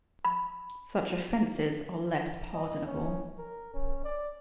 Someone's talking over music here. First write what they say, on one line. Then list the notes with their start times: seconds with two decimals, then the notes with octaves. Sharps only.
Such offenses are less pardonable.
0.25 B5
2.53 D#5
2.86 C#4
3.38 A#4
3.74 C#4
4.04 D5